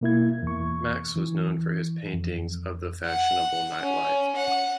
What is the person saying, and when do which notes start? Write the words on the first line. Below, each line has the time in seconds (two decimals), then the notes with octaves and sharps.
Maks was known for his paintings of the fashionable night life.
0.01 B2 A#3 E4 G#6
0.43 E2 C#6
1.16 E3
2.14 F2
3.06 F#5
3.82 C#4
4.36 F#5